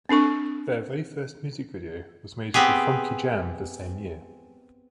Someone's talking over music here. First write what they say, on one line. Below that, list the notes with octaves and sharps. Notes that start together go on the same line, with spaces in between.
Their very first music video was made for "Funky Jam" the same year.
C4 D4 A4 C#6
B3 C4 G4 G#4